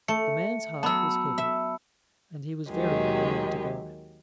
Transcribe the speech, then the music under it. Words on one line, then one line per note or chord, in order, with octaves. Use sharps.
The man's heart was heavy, and he was very unwilling to go.
A3 C#7
F#3 B3 A5 B5 E6
E5
D#2 D#3 F#3 G#3 G4